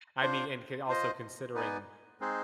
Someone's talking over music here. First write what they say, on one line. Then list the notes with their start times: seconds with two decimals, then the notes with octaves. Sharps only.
I mean and can also considering
0.22 D4 F4 C5
0.88 F4 C5 D#5
1.54 B3 D#4 B4 D5 G#5
2.20 G#3 C4 D#4 G#4 C5